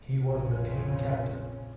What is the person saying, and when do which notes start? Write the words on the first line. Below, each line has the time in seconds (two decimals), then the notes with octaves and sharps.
He was the team captain.
0.25 A#1 F2 C#3 C4 C#4